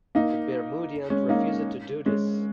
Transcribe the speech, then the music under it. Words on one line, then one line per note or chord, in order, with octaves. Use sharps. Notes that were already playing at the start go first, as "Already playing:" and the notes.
The Bermudians refused to do this.
A#3 D#4
G#3 C#4
A#3 D#4
G#3 C#4